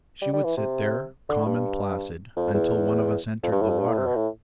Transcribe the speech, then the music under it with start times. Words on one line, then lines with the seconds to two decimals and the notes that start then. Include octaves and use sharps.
She would sit there, calm and placid, until one of us entered the water.
0.22 G3
0.33 G3
0.44 E3
0.57 C3
1.29 D3
1.46 G2
2.37 F2
2.54 E2
3.43 F2
3.52 G2
3.62 A2
3.70 F2
3.79 G2
3.88 A2
3.97 C3
4.06 B2
4.15 A2